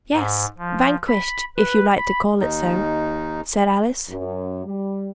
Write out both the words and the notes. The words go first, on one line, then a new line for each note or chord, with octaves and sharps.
"Yes, vanquished; if you like to call it so," said Alice.
G#2
F3
B5
B4
B5
D#2 D#4
F#2
G3